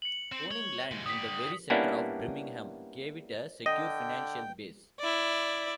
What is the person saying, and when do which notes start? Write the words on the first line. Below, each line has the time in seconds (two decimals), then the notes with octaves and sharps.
Owning land in the very centre of Birmingham gave it a secure financial base.
0.02 C#7 F#7
0.32 C4
0.51 C#5 G7
0.91 D#2 G#3
1.06 D3 G4 D#6 B6
1.70 G3 A#3 B3 C#4 D4 E4
3.66 D3 D#5 G5
4.99 E4 D5